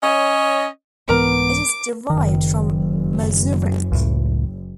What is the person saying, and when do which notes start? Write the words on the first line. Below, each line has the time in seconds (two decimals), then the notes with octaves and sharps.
It is derived from mazurek.
0.03 C#4 C#5 D#5
1.09 C2 G#2 E3 B3 A#4 A#5 D6
2.10 F#1 D#3
3.92 C#2 A2